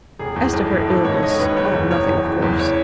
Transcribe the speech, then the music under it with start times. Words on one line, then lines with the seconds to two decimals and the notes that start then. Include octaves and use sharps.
As to her illness, all nothing of course.
0.19 E1 G#4
0.36 E2
0.53 B1
0.71 A2
0.88 G#1 A4
1.04 G#2 C#5
1.22 E1 D#5
1.30 C#5
1.39 D#2 B4
1.56 F#1 C#5
1.73 E2
1.91 E1 C#5
2.08 E2
2.25 F#1
2.42 E2
2.59 C#5